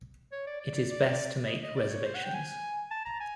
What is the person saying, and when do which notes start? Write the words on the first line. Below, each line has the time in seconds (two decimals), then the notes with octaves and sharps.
It is best to make reservations.
0.32 C#5
0.47 D5
0.61 D5
0.75 D5
0.90 D5
1.47 D#5
1.62 D#5
1.76 D5
1.90 C#5
2.05 C5
2.15 F#5
2.24 G5
2.34 G#5
2.91 A5
3.06 A#5
3.20 G#5